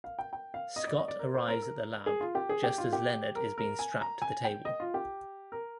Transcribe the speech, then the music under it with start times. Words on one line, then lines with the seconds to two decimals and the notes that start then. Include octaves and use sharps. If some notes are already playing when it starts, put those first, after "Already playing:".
Scott arrives at the lab just as Leonard is being strapped to the table.
0.04 F5
0.19 G5
0.33 G5
0.54 F5
0.76 D#5
0.87 D5
0.98 D#5
1.08 D5
1.19 A#4
1.34 C5
1.48 A#4
1.62 A#4
2.06 G#4
2.21 F4
2.35 G4
2.49 G#4
2.64 G4
2.78 F4
2.93 G4
3.35 A#4
3.58 A#4
3.79 G#5
4.01 A#5
4.22 G#5
4.44 G5
4.65 D#5
4.80 F4
4.94 G4
5.52 A#4